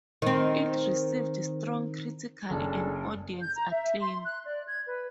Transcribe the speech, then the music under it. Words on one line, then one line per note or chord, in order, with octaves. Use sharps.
It received strong critical and audience acclaim.
D#3 C4
F#1 D4 G#4 A4
G6
A#5
E5
C6
F#6
D5
G#6
B4